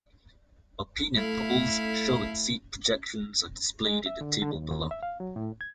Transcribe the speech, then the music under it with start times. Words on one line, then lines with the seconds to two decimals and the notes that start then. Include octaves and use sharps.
Opinion polls showing seat projections are displayed in the table below.
1.15 A3 E4 F5
3.85 G#3
4.06 E5
4.21 D3
4.42 D3
4.54 D#2
4.71 D#2
4.91 E5
5.03 F5
5.20 F#3
5.36 A2
5.61 G#6